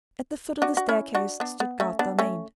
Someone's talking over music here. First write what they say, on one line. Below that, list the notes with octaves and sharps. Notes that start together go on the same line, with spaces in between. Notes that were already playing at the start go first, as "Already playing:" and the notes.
At the foot of the staircase stood Garth Dalmain.
D4 F#4
F#4
C#4 E4
D4 F#4
B3 D4
B3
A3 C#4
B3 D4
A3 C#4